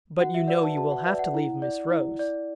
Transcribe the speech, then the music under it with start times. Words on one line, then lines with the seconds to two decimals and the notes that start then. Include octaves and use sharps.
"But you know you will have to leave Miss Rose."
0.19 F#4 F#5
0.34 E5
0.48 B4 D5 F#5
0.63 A5
0.77 F#4 A5
0.92 F#5
1.05 B4 D5 E5
1.19 F#5
1.34 E4
1.62 D5
1.90 E4
2.19 D5